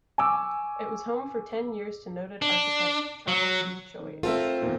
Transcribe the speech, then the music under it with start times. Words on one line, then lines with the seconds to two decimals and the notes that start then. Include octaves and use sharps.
It was home for ten years to noted architect Charles E. Choate.
0.18 G#5 C#6 D6 E6
2.42 D4
3.28 F#3
4.00 D#3
4.23 A3 C4 F4 A4 A#4 E5
4.60 E2 A#2 D#3